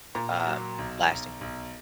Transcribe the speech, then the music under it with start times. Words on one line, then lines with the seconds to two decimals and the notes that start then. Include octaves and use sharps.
um, lasting?
0.15 A#2 A#5
0.46 F#3
0.78 B1
1.10 B1
1.41 B1